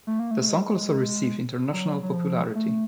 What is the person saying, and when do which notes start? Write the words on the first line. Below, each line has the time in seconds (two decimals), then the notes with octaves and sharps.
The song also received international popularity.
0.07 A3
0.19 A#3
0.31 A3
0.41 A3
0.49 G#3
1.73 F#3
2.03 F#3
2.14 F3
2.55 A3